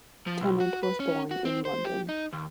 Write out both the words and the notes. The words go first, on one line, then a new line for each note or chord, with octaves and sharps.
Tennant was born in London.
F3
B1
F#4
B4
C#4
F#4
C4
C5
G4
D#4
D#2